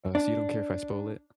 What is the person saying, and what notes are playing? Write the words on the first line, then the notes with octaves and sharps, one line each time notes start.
Uh, so you don't care if I spoil it?
D4